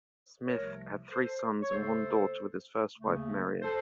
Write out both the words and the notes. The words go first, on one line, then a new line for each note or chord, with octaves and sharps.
Smith had three sons and one daughter with his first wife, Marion.
C2 C3 F3 A3 A#4 C#5
A4 C5
C#5
D#2 C#3 A3 A4 C5
D#2 C#3 A3
A4 C5